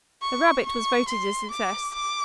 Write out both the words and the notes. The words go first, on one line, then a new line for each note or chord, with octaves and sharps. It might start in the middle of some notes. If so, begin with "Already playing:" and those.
The rarebit was voted a success.
C#6
C#6
C6
D6
D6